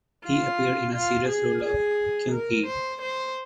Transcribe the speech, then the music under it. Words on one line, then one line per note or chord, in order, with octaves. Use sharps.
He appeared in a serious role in Kyun Ki.
F4
F4
G#4
G#4
A#4
C5
C5